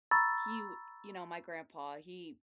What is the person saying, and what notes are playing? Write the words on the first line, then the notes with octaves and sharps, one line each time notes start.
he, w you know, my grandpa, he
A#5 B5 C#6 E6 A6